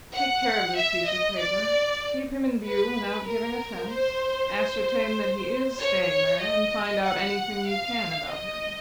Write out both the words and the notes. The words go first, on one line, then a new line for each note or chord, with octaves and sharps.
'Take care of this piece of paper, keep him in view without giving offence, ascertain that he IS staying there, and find out anything you can about him.'
F#5
E5
D#5
D5
B4
A#4
C5
C#5
D#5
F#5
F5
D#5